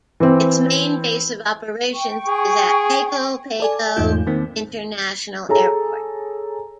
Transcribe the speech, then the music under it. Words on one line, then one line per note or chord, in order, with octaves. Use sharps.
Its main base of operations is at Pago Pago International Airport.
E3 C4
G5 C#6
G#4
A4 D5 G#5
E2 G#2 A3 D#4 F4 G6
D#3 A#3 C4
G#4 A4 C#5 A#5